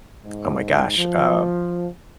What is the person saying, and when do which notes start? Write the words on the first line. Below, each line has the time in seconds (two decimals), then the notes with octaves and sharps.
oh my gosh, uh,
0.24 G#2
0.97 F3